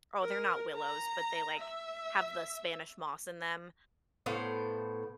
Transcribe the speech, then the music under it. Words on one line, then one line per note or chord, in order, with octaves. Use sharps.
oh, they're not willows, but they, like, have the Spanish moss in them.
A#4
A#5
E5
A2 B3 C5 F5